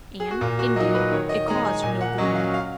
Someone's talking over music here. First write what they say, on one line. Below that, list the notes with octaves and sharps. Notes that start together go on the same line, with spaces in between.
And, indeed, it caused no gloom.
G#4
F#4
A#2 F4
F#4
F#3 A#3 D#4 D#5
B4
D#3 C#5
D#5
G#3 D#4 A#5
G#5
A#2 G#5
F#5
F#3 C#4 D#5
F5
F5